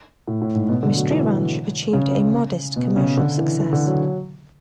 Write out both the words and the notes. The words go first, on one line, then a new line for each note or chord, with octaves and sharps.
"Mystery Ranch" achieved a modest commercial success.
A2
A2
G#2
B2
D3
F#3
E3
C#3
B2
C#3
D3
E3
E3
D3
F#3